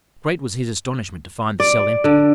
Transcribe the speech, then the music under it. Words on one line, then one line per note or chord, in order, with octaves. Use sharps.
Great was his astonishment to find the cell empty!
D5
D3